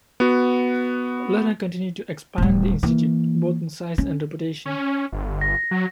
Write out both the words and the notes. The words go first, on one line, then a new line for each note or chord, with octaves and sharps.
Lerner continued to expand the institute, both in size and reputation.
B3 F#4
D1 G3
E3 A#3
C#4
C#4
G1
A#6
F#3